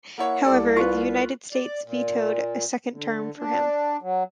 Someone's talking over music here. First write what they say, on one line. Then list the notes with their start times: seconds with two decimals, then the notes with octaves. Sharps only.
However, the United States vetoed a second term for him.
0.18 A#3 E4 C#5 F#5
0.44 C2 G4 A4 D5 D6
0.77 C4 F4 B4 C#6
0.93 A#4
1.53 D5
1.84 A#2
2.92 D3
3.37 D4
4.02 F#3